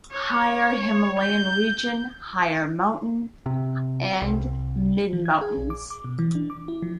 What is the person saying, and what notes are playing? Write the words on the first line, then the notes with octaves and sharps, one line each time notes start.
Higher Himalayan Region, Higher Mountain and mid - Mountains.
C#5
G6
C3
C2
E3
G#6
G#4
A#1
D6
D6
B2
E3
D4
D6
E4
F3